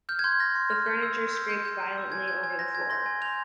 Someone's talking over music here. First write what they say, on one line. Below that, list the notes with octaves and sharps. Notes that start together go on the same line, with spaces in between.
The furniture scraped violently over the floor.
F6 G6
G#6
C6 G6
F6 A#6
C6
F6
C6 G6
E6 G6
C6
E6 G6
C6 G6
E6 G6
C6
E6 G6
G#5 G#6
C6 G6 G#6
G#5 G#6
C6 G6 A#6
G#5 G#6
C6 G6 A#6
G#5 G#6
C6 G6 F7